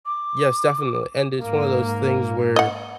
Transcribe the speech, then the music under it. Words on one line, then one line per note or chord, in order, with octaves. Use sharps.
Yes, definitely, and it's one of those things where,
D6
G#2 A#3
D#5 F#5